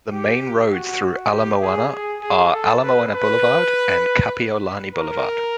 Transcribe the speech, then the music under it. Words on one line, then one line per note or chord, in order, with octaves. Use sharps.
The main roads through Ala Moana are Ala Moana Boulevard and Kapiolani Boulevard.
G4
F#4
G4
G#4
G#4
G#4
A4
B4
B4
A#4